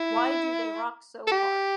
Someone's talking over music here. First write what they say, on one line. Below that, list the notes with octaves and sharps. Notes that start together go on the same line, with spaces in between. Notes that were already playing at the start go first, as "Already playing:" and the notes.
Why Do They Rock So Hard?
Already playing: E4
A4
G4